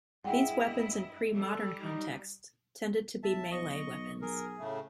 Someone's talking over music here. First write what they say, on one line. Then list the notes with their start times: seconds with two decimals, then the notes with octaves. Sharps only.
These weapons in pre-modern contexts tended to be melee weapons.
0.24 G2 G#3 E4 D#5 F#5 G5
1.32 G3 A4
1.77 D#4
3.23 B1 E5 A5
3.51 B1 D#5 C#6
4.22 G#4 A#4
4.58 A2 C#3 A3